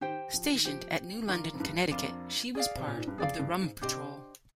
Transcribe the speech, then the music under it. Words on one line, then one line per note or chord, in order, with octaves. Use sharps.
Stationed at New London, Connecticut, she was part of the Rum Patrol.
D#3 G4 C5 G5
F3
D#3
F3 G4 C5 G5
D#3 D4 F4 A#4
F2
G2
F2 D4 F4 A#4
G#4 D5 F5
C3
A#2
G#2
G2
F2 G#4 D5 F5
G2
G#2
C3 D4 G4 C5 D#5